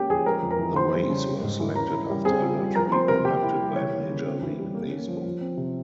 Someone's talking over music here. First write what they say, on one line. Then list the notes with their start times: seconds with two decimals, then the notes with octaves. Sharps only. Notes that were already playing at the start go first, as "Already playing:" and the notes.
The Rays were selected after a lottery conducted by Major League Baseball.
Already playing: G#3 A#3 C#4 G4 G5
0.10 F3 G#4 G#5
0.26 G#3 A#4 A#5
0.42 F2
0.51 A#4 A#5
0.59 E3
0.76 E3 C5 C6
0.92 G3
1.09 C#3
1.26 G3
1.43 G#2
1.60 E3
1.76 C#4 A#4 A#5
1.92 E4
2.09 G3
2.25 C4 G#4 G#5
2.42 F4
2.58 G3
2.75 F3 A#4 A#5
2.92 C4 C5 C6
3.08 C3 A#4 A#5
3.25 A#3 G4 G5
3.43 E4
3.59 G3
3.75 E3 C#5
3.92 A#3
4.09 C#3
4.26 C4
4.42 E3
4.59 G3
4.75 A#3
4.91 C#4
5.08 F3
5.25 F3
5.41 C4
5.57 C3